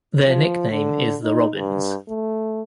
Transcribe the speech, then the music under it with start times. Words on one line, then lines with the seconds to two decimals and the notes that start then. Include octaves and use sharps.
Their nickname is the Robins.
0.27 F3
0.71 D3
1.23 D#4
1.56 G2
2.08 A3